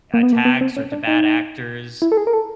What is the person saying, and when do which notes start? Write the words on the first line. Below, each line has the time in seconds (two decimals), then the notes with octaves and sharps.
attacks or to bad actors.
0.14 A#3
0.23 B3
0.33 A#3
0.45 B3
0.61 C4
0.77 C#4
0.92 D4
1.07 D#4
2.02 E4
2.12 A4
2.17 G#4
2.27 A#4
2.33 A4